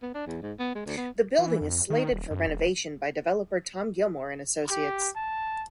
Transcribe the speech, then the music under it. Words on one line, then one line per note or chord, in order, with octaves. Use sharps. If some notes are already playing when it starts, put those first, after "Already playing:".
The building is slated for renovation by developer Tom Gilmore and Associates.
B3
D4
E2
G#2
B3
G#3
D2
B3
E3
F2
D#3
D#1
F#2
E1
G4
A5